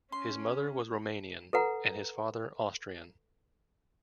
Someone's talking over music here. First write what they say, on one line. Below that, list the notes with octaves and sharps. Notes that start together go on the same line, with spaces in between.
His mother was Romanian and his father Austrian.
C#4 C6
A4 B4 F#5 A#5